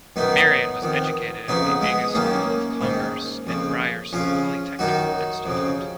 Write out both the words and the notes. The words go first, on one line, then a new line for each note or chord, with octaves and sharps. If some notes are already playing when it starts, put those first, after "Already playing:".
Marion was educated at the Angus School of Commerce and Ryerson Polytechnical Institute.
F#2 D#3 B3 D#4
F2 D#3
F2 C#3 B3 D#4
G#3 B3
F#2 D#3 A#3 C#4
G#2 D#3
F2 C#3
F2 C#3 C#4 F4
F#2 D#3 D#4 F#4
F2 C#3